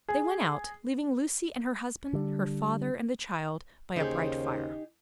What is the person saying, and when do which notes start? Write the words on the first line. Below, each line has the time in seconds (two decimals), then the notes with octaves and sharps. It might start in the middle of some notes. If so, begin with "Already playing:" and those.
They went out, leaving Lucie, and her husband, her father, and the child, by a bright fire.
0.09 G#4
2.13 D3 G3
3.96 D#2 C#3 D#4 G4 G#4 C5